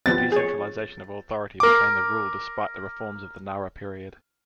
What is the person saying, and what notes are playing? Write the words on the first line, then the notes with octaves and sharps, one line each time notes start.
Decentralization of authority became the rule despite the reforms of the Nara period.
F3 B3 C4 A6
G#4 C#5
A#4 D6